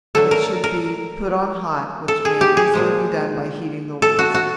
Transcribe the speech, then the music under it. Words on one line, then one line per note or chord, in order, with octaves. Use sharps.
It should be put on hot, which may easily be done by heating the lees.
D3 F#3 A3 A4
A#4
A#4
A4
G#4
G4
G#4
A#2 F3 G#3
A4
F#4
F#4